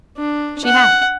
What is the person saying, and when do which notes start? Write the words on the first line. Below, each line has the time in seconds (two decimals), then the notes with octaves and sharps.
She had.
0.17 D4
0.65 F#5